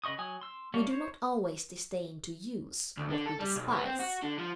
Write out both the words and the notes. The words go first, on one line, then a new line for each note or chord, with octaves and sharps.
We do not always disdain to use what we despise.
C#3 B4 D#5 C#6 D#6
F#3 G#5 D#6
C6 E6
G3 A3 A#3 C#5
C5 C#5
D2
D3
A4
G3
B1
B3
C4
F#4
D3
F3